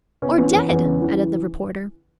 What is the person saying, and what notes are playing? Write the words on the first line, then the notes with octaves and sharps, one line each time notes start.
"Or dead!" added the reporter.
C#3 B3 C#4
E3 B3 C#4
E2 B3 C#4
E2 B3 C#4
C#3
E3